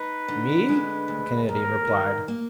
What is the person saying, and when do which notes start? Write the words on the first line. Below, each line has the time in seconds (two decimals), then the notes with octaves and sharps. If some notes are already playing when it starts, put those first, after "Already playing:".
"Me?" the Canadian replied.
Already playing: D#4 B4
0.28 D3
0.69 G#3
1.08 D2
1.48 D#2 A#4
1.87 D#3
2.28 A#3